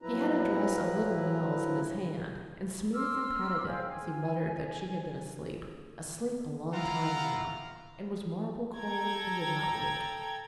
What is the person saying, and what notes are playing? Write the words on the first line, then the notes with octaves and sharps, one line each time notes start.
He had a dress of little Nell's in his hand and smoothed and patted it as he muttered that she had been asleep--asleep a long time now, and was marble cold and would not wake.
A2 F3 F#3 E4 B4 A#5
C6 D6 E6 F6
G#4 C5 F5 G5
G#5
E4 F4 F5 F#5 A#5
A4 G5 A#5 G#6